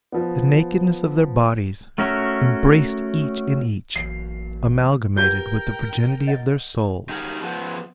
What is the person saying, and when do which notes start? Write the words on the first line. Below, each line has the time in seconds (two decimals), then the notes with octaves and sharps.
The nakedness of their bodies, embraced each in each, amalgamated with the virginity of their souls.
0.12 F3 B3
1.98 A3 C#4 F#4 A#4 E5
3.96 A1 E2 F#3 A#3 C7
5.17 F4 G4 A#4 B4 G5 G6
6.27 D#5 F#5
7.09 D#4 G4 G#4 A#4
7.42 F3 B3